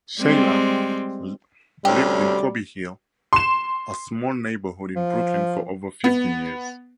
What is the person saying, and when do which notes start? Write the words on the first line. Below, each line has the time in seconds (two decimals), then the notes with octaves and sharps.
Sheila lived in Cobble Hill, a small neighborhood in Brooklyn for over fifty years.
0.20 G3 G#3 C4
1.85 D2 C3 G3 C#4 G4
3.33 C6 E7
4.96 F3
6.04 B3